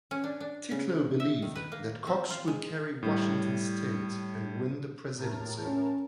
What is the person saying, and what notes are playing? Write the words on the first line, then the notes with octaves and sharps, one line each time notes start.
Titlow believed that Cox would carry Washington state and win the presidency.
C#4
D4
D4
C#3
E5
D#3
B4
A#3
C4
F4
G#3
A2 G3
A2 A#4 A5
C#4